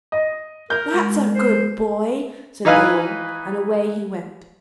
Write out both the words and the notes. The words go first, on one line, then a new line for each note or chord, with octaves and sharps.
"That's a good boy!" said they all, and away he went.
D#5
A#4 G6
G#3
C5
E3 D#4 B4 F5 G#5